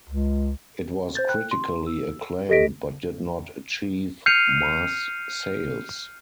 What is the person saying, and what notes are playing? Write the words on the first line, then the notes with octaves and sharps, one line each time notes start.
It was critically acclaimed, but did not achieve mass sales.
C#2
C5 G6 A6
G5 F#6
C6
E6
G4 A4 D#5 A#6 B6 D7
F6 G6 C7 C#7 D#7 F7